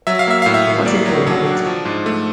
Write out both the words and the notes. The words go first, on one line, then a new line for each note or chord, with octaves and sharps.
What if we love it?
F#3 E5
F5
A#3 E5
A2 F5
E5
A2
A#3 D5
F#3
F#3
D4
F3
G#2
A3